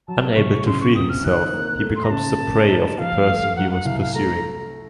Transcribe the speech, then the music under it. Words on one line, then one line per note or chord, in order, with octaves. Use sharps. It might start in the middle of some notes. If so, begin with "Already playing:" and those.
Unable to free himself, he becomes the prey of the person he was pursuing.
F#3 A5
C2 C#6
C#3 C6
C#6
C4 D#6
F6
D#3 F#6
A#3
A3
C6
A#5
C#3 A5
A#3
D#4
F3 F5
A3
F#3 F#5
F#5
C2 F5
F5
A3 A#5